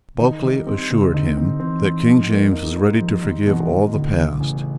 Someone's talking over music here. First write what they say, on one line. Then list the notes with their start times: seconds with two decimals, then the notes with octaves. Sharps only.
Bulkeley assured him that King James was ready to forgive all the past.
0.20 D#3 D#4
0.43 D#3 G3
0.67 C4
0.90 C#3 C4
1.13 D3 D#4
1.37 C4
1.60 E3 C4
1.84 D#4
2.06 F3 D#4
2.30 A#3
2.53 D#4
2.77 D#4
3.01 F3 G3
3.23 D#3 D#4
3.47 B2 E3
3.70 B2 D#3
3.94 A2 D3
4.16 A2
4.40 A1 C#3